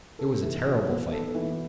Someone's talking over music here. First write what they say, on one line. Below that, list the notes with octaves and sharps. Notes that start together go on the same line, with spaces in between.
It was a terrible fight!
A4
E3
F#4
B3
A4
E3